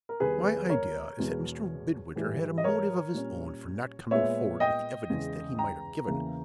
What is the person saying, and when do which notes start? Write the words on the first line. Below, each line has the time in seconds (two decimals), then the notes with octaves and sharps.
My idea is that Mr. Midwinter had a motive of his own for not coming forward with the evidence that he might have given.
0.09 A#4
0.20 D#2 D#3 G3 B3 G#4 B4
0.44 G#4 B4
0.69 A#4 C#5
1.18 E2 B2 G#3 B3
2.16 G#2 E3 G3
2.58 D#5
2.64 A#4 C#5
3.14 A#2 G3 C#4
4.11 A#2 G#3 B3 C#5 E5
4.60 D#5 G5
5.10 E2 C#3 G#3
5.58 G5 A#5
6.07 E2 C#3 E3 A#3